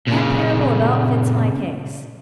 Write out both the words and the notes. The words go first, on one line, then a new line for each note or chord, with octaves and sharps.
That parable about fits my case.
A#2 C#3